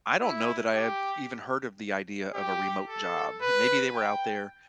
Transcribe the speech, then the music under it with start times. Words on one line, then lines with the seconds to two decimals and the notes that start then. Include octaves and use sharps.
I don't know that I have even heard of the idea of a remote job. Maybe they were out there,
0.21 E4
0.74 G4
2.34 G4
2.88 A4
3.41 B4
3.94 G5